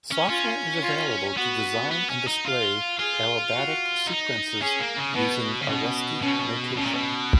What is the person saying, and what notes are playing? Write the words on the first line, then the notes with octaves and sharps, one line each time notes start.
Software is available to design and display aerobatic sequences using Aresti notation.
C#4
C#4 F4
F4
B3 F#4
B3
C#4
D#4
F4
F4 G#4
F#4
D#4
C#4 G#4
A#3
C#3
B2 B3
C#3
B2 C#4
B2 C#4
B2 C#4
A#2
B2